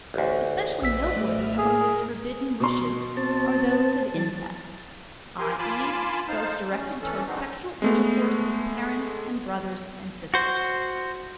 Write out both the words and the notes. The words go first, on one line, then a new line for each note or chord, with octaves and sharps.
Especially noteworthy among these forbidden wishes are those of incest, i.e., those directed towards sexual intercourse with parents and brothers and sisters.
A1 D2
A#1 B4 D5 D#5 E6 B6
A2 A3 E5 F6
G#4 A#4
B2 C6
C4 A5
E3 A5
G4 A#4 G#5 C6
F4 G#5 A5 B5 C6 D6
D#4 C5 F5 A5
C#4
E3 C#4 A4
G#3 C4 D4 D#4 F#4
G#3 A3 B3
F#4 C5